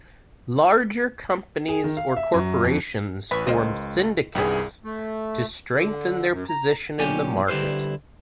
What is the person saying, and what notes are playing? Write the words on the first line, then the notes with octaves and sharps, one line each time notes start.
Larger companies or corporations form syndicates to strengthen their position in the market.
G#4
D#3
F5
E5
F#2
F2
A1 B4 B5 C#6
C#2 A#4 C5 D#5
C2 G2 D#3 E3 B3 G#4
A3
D3
F#2
A#5
B1 A#2 C#4 G4 G#5
D3 G3 E4 G4 B4 C5